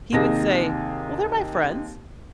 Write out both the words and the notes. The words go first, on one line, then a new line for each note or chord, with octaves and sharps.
He would say, "Well, they're my friends."
D#2 C3 D#4 G#4 A#6